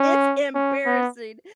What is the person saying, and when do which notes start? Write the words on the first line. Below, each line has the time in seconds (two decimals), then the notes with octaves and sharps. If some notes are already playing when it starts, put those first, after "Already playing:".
It's embarrassing,
Already playing: C#4
0.54 C#4
0.86 B3